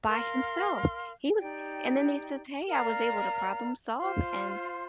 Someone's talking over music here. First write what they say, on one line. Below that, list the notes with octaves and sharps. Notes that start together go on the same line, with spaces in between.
by himself. He was and then he says, "Hey, I was able to problem solve," and
A#4 F5 C6
D#4 G4 D5 G5
A#4 D5 F5 A#5
F4 C5 F5 C6